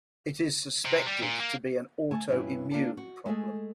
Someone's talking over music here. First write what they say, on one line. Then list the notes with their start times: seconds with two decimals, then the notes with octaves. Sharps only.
It is suspected to be an autoimmune problem.
0.85 C3
1.06 G3
1.23 A#2
1.40 A#3
2.11 A3 G#5 A5
2.29 G2 B2 E3 C4 C#4 E4
2.71 A#3 D4 F4 G4 D5 A5
2.97 F#4
3.26 G#3 A3 G#4 A4